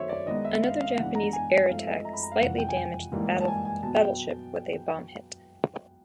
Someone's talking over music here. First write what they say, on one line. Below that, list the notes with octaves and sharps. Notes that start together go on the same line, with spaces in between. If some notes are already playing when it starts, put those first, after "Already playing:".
Another Japanese air attack slightly damaged the battleship with a bomb hit.
Already playing: D#3 F#3 A3 C4 C5 C#5 E5
D5
D#3 G#3 B3 D#4 D#5
E5
F5
F5
G#2 E3 G#3 B3 D4 F#5
A#5
G#5
G5
G#2 F3 A3 C4 D#4 F5
E5
D#5
E5
A#5
B5
A#5
F5
F2 C3 E3 G#3 F#5
G5
G#5
G5
G#2 E3 G3 A#3 D#4
A5
G#5
G#5
B2 F#3 B3 A5
G5